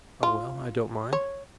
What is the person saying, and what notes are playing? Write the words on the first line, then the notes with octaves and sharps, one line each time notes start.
"Oh well--I don't mind."
F4
C#5